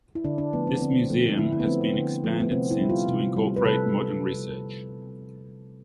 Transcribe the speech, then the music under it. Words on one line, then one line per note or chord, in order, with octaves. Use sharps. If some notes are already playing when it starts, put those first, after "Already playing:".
This museum has been expanded since to incorporate modern research.
E4
D3 D4
D4
F3 A3 B3
C4
D3 C4
F3 A3
D3 E4
E4
B3
F3 A3 C4
B3
D3
F3 A3
B3
C3 C4
E4
G3
F4
C3
G3
B4
C3 A4